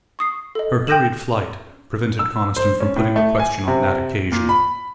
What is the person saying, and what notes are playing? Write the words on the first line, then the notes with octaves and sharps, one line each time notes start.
Her hurried flight prevented Conniston from putting the question on that occasion.
C#6 D#6 C7
A4 D#5
G5 G6 A#6 D#7 E7 F#7
E6
C5
C#4
A2
A3
G#5
C3
A#2
B5